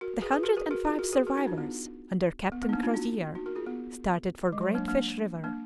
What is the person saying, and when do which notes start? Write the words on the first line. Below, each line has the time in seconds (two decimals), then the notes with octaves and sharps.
The hundred and five survivors, under Captain Crozier, started for Great Fish River.
0.01 F#4 A#4
0.22 G#4 B4
0.32 G#4 B4
0.43 F#4 A#4
0.57 G#4 B4
0.71 F#4 A#4
0.85 F4 G#4
0.99 F#4 A#4
1.13 G#4 B4
1.27 F#4 A#4
1.37 D#4 F#4
1.47 D4 F4
1.58 B3 D#4
2.52 B3
2.63 B3
2.69 D#4
2.73 A#3 D4
2.83 D4 F4
2.94 D#4 F#4
3.35 D#4 F#4
3.46 F#4 A#4
3.56 F4 G#4
3.67 B3
4.52 G#3
4.61 F#3
4.75 A#3 D4
4.88 A#3 D4
5.44 A#3 D4